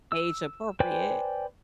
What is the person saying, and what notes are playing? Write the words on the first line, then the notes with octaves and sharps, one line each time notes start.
age appropriate."
E6
B4 C5 D5 G5 G#5